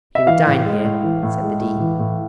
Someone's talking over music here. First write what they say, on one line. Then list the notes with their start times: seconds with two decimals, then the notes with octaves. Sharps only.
"He will dine here," said the Dean.
0.15 E5
0.27 E3 F5
0.47 A2
0.65 G#3
0.84 A2
1.03 E3
1.23 A2
1.42 G#3
1.60 A2
1.80 E3
1.99 A2